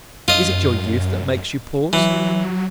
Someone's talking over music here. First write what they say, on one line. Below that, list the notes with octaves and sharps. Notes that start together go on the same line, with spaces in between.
Is it your youth that makes you pause?
F#2 F4 D#5
E3 F#3